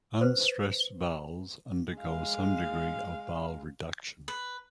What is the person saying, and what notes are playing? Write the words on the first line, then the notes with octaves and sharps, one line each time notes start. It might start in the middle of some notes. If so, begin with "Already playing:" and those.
Unstressed vowels undergo some degree of vowel reduction.
B4 C5
G#3 F5
B4